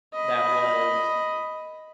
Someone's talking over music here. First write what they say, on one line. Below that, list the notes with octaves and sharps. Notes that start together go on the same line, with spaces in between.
that was
D#5 B5